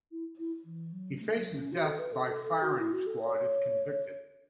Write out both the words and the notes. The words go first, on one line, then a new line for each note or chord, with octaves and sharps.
He faces death by firing squad if convicted.
E4
E4
E3
F#3
A3
F#3
C#4
F#4
A4
B4
A4
A4
A4
F#4
E4
F#4
A4
C#5